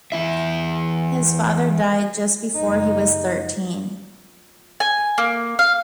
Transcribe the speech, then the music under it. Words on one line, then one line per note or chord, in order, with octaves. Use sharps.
His father died just before he was thirteen.
E2 G3 E4 E5
F#1 D#4
G#5
A#3
F5